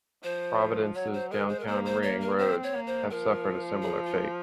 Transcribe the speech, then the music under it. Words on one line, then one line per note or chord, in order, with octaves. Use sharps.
Providence's Downtown Ring Roads have suffered a similar fate.
F3 C5
F#3 C#5
C5
G#3 A#4
C5
A#4
A#3 C5
C5
C#5
A#4
C4 C5
C#5
A#3
C5
F3 A#4
G#4
F4